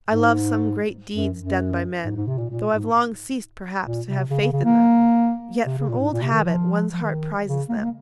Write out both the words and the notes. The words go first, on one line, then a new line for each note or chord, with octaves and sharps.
I love some great deeds done by men, though I've long ceased perhaps to have faith in them, yet from old habit one's heart prizes them.
G#2
F#2
F#2
G#2
G#2
C3
A#2
A#2
G#2
A#2
C3
C#3
C#3
C#3
A#3
C3
C#3
A#2
G#2
A#2
C3
D#3
F3
F3
D#3
C#3
A#3
G#3
A#3